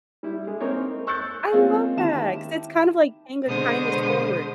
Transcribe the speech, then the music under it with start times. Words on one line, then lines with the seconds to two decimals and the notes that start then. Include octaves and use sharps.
I love that, 'cause it's kind of like paying a kindness forward.
0.23 G3 E4
0.47 G#3
0.60 A#3 C4 D#4 A#4 C#5
1.07 C#6 E6 F#6 G6 A6 C#7
1.52 G#3 A#3 C4 C#4 F4
1.97 D#3 E4 G4 A5 E7
3.45 B2 D3 G#3 C5 D#6